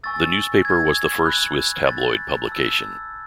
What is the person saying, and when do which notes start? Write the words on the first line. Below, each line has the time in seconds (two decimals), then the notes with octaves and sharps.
The newspaper was the first Swiss tabloid publication.
0.03 G#5 C#6 E6 A6
0.65 G#6
1.26 B5 F#6
1.87 A6
2.48 A5 E6